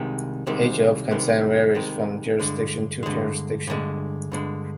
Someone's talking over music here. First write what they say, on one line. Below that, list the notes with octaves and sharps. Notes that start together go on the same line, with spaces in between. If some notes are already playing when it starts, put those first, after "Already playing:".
The age of consent varies from jurisdiction to jurisdiction.
Already playing: C2 C3 D#3 G#3
C2 C3 D#3 G#3
C2 C3 D#3 G#3
C2 C3 D#3 G#3
G2 D3 G#3
G2 D3 G#3
G2 D3 G#3
G2 D3 G#3